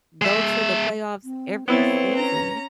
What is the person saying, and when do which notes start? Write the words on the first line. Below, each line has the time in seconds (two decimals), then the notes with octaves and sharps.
go to the playoffs every season.
0.22 G#3 E5
1.24 C4
1.68 B3 C4 E4 B4 C#5 A6
2.17 C#4 A#5